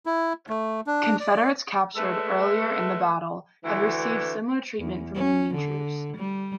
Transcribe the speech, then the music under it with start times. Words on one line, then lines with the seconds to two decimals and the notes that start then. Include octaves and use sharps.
Confederates captured earlier in the battle had received similar treatment from Union troops.
0.06 E4
0.49 A3
0.87 D4
1.20 D5
1.96 G#3 A3 A4 B4 E5
3.64 D2 E3
4.79 E2
5.15 C#4
5.55 D3
6.17 G3